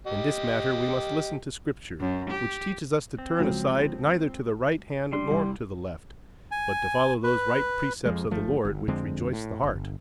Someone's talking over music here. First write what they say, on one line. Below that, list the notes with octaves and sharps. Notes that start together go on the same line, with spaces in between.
In this matter we must listen to Scripture, which teaches us to turn aside neither to the right hand nor to the left, but to follow those right precepts of the Lord which rejoice the heart.
G4 D#5
F#2
G4
C4
C#2 F3 F#3
G3 D4 C6
C2
G#5
B4
F2 F3 G#3
G1 F3 A3
G1
F2 D3 G#3 C4
A2
G1